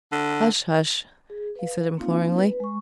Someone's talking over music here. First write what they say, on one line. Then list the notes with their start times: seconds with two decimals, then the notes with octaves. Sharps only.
"Hush--hush!" he said imploringly.
0.12 D3
1.30 G#4
1.56 B4 F5
1.97 A#3 C4 D#4 F4 F5
2.38 B4
2.60 G#3 C#6